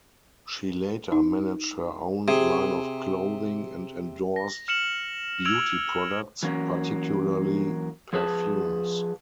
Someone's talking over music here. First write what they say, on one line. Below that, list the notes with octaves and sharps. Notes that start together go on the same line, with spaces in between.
She later managed her own line of clothing and endorsed beauty products, particularly perfumes.
D#4
C3 G#4
A#6
F6 C#7 E7 F#7
E6 F6 G#6 D7 F7 F#7
E3 F#3 A#3 C#4
F3 G#4 B4 A5